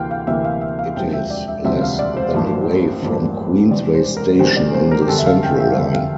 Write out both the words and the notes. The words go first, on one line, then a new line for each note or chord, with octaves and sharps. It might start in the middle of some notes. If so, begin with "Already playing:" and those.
It is less than away from Queensway station on the Central line.
Already playing: D2 C3 E3 A#3 F5 G5
F5
D2 C3 E3 A#3 E5
F5
E5
F5
E1 D2 C3 F3 C4 G5
E5
D5
E5
E1 D2 C3 F3 C4 E5
F5
D5
C5
A1 G2 F3 A#3 D4
A1 G2 F3 A#3 D4
E1 E2 C3 G3 D5
C5
A#4
E1 E2 C3 G3 C5
D5
C5
A#4
G4
F1 E2 D3 G3 A4
E5
F5
G5
E5
F1 E2 D3 G3 G5
F5